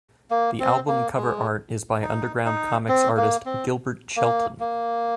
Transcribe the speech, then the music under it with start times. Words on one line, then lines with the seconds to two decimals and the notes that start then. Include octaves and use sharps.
The album cover art is by underground comix artist Gilbert Shelton.
0.31 A#3
0.60 C4
0.88 A#3
1.17 G#3
2.02 D#4
2.45 D#4
2.88 C4
3.17 A#3
3.45 C4
4.16 A#3
4.60 A#3